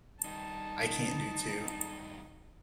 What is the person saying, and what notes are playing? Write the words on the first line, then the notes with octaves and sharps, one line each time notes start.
I can't do two.
G2 D#3 D#4 A5